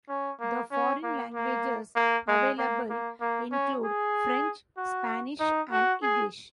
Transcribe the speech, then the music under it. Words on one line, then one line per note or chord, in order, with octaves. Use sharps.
The foreign languages available include French, Spanish, and English.
C#4
A#3
C#4
A#3
A#3
A#3
G#3
A#3
A#3
A#3
C#4
G#4
F#4
D#4
F#4
G#4